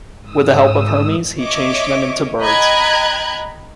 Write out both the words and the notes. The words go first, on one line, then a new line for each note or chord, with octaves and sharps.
With the help of Hermes he changed them into birds.
G#2 D#6 E6
C#5 D#5 E5 D6
D#5 G5 A#5 B5 F#6 G#6